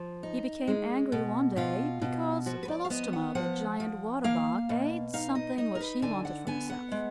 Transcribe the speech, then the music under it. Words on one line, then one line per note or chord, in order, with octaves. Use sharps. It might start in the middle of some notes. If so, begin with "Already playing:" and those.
He became angry one day because Belostoma, the Giant Water-Bug, ate something which he wanted for himself.
Already playing: F3
D#4
G#3
B2
B2 F4
B2
F3 F#4
B4
D5
F5
B3 D#5
F#5
F3 F#5
F3
A#3 F5
B2
D#4 F5
D#5
D#4 D#5
A#4
B4
D3 G#5
F#5
B3 G#5
F#5
G#3